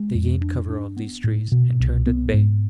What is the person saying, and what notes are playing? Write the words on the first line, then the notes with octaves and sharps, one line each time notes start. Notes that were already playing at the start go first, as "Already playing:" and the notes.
They gained cover of these trees, and turned at bay.
Already playing: G#3
F2
D4
D4
B3
A2
B2
C2
B3
G#2